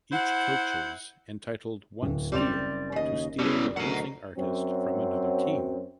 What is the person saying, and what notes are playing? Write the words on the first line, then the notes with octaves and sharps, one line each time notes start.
Each coaches entitled one "Steal" to steal the losing artist from another team.
E4 C5 F#5
D1
F#1 G3 C4 D5 F7
D#2 C#3 D#5
B2 E3 G3 C#4
D2 F#3 A#4 D#5 F#5
F#2 F#3 C4